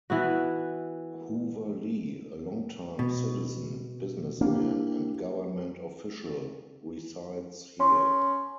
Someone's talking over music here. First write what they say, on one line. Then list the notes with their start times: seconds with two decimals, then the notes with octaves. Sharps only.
Hoover Lee, a long-time citizen, businessman, and government official, resides here.
0.10 E3 B3 F#4
2.99 B2
4.41 A#3 D4 E4 G4
7.80 C#4 C6 C#6